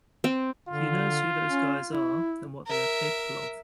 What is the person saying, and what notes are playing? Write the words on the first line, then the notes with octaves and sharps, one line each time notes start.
He knows who those guys are and what they are capable of.
C4
D3 F4
C#4
E4
A#4 E5